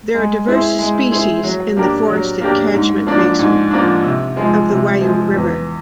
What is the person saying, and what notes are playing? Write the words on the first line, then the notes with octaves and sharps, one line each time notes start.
There are diverse species in the forested catchment basin of the Waiau River.
G#3
C4 E4 G#4 C5
G#3
C4 E4 G#4 C5
F#3
A#3 D4 G4 A#4
F#3
A#3 D4 G4 A#4
G#2
F3 A#3 D4
G#2
F3 A#3 D4
C3
F3 G#3
C3
F3 G#3
E2